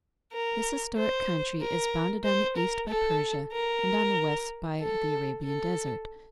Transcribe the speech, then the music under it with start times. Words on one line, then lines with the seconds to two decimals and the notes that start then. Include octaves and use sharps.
This historic country is bounded on the east by Persia and on the west by the Arabian desert.
0.33 A#4
0.97 C5
1.61 A#4
2.24 C5
2.57 A#4
2.88 A4
3.52 A#4
4.81 A4
5.43 A4